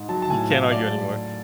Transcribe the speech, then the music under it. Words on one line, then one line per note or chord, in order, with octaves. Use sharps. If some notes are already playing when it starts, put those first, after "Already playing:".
You can't argue anymore."
Already playing: G#2
F#3 A5
A5
A2 G#5
A2 F5
A3 D5